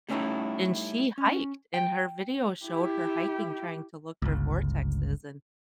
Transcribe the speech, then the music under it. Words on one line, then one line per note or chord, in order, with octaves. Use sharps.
and she hiked, and her video showed her hiking, trying to look for vortexes, and
G3 A3 C#4 D#4 E4 G4
C#4
G5
E4 G4
G1 C#2